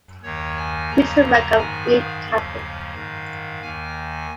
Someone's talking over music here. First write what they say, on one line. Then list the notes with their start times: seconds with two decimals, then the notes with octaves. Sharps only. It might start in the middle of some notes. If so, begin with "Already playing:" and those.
He reached the rank of group captain.
0.23 D#2 D#3 C#5
0.57 G#5
0.91 D#2 C#3 F3 A#5
1.59 G#2 D#3 G#5
1.93 F5
2.26 D#2 C#3 F3
2.94 G#2 D#3
3.62 D#2 D#3 G#5